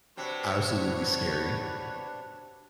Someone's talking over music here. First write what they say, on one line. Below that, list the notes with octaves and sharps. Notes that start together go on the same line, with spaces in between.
absolutely scary.
C3 C4 D4 F#4 B4 C#5